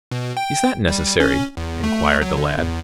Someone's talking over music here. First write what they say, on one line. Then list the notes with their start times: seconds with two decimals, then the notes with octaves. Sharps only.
"Is that necessary?" inquired the lad.
0.11 B2
0.37 G5
0.88 G3
1.20 C#4
1.57 E2
1.84 A3
2.22 F#3
2.37 D3
2.58 E2